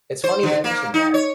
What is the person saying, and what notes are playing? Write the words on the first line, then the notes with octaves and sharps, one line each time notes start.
It's funny you mentioned that.
C5
D3
A#3
D#4
C#5